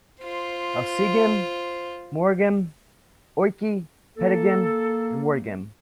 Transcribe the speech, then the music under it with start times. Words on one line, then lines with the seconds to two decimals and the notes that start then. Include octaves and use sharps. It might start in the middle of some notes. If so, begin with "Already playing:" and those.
Elsegem, Moregem, Ooike, Petegem and Wortegem.
0.21 F4 C5
4.17 A#3 A4